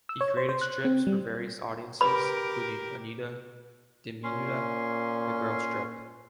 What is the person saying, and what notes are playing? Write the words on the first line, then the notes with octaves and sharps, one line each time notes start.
He created strips for various audiences, including "Anita Diminuta", a girl strip.
E6
C#5
C5
C5
F#6
C4
G3
G4 A#4 B4 B5
A#2 C#4 C6